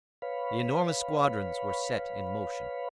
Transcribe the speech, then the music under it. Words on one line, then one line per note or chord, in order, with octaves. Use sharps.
The enormous squadrons were set in motion.
B4 C#5 F5 B5